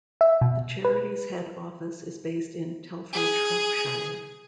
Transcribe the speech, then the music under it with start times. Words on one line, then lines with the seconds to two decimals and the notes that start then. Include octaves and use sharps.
The charity's Head Office is based in Telford, Shropshire.
0.21 E5
0.41 B2
0.85 B4
3.13 G#4